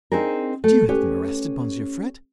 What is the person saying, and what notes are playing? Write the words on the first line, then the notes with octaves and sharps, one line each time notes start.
"Did you have them arrested, Monsieur Fred?"
C4 D4 D#4 G#4 A#4
A3
C#4 G4 B4 C#5